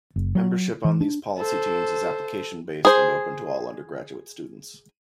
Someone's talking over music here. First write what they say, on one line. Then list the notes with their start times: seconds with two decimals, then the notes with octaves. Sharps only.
Membership on these policy teams is application-based and open to all undergraduate students.
0.16 F#1
0.35 F#3
0.85 E3
1.01 D4
1.38 A4 C5
2.85 G#4 C5